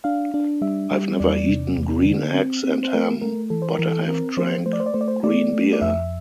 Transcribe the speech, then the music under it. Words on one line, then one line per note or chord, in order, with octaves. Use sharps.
I've never eaten green eggs and ham, but I have drank green beer.
D4 F5
D4
G3 E5
G3
E2 D5
C3
E2
D3
C4
C4
C5
A3 A#4
A3 A#4
E3 A4
C5
A#4
E3
A4
C4 A#4
F3 C5
A3 C5
D5
C5
D5
A3 C5
D5
C5
A3 D5
A3
D5
F2 E5